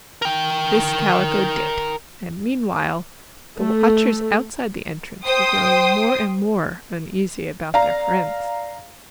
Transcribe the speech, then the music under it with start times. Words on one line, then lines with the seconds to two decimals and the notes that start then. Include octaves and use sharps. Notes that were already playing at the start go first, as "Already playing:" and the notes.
This Kaliko did, and meanwhile the watchers outside the entrance were growing more and more uneasy about their friends.
0.22 A#4 G5
3.56 A3
5.24 C5 G5 C6 D#6
7.74 D5 F5 A#5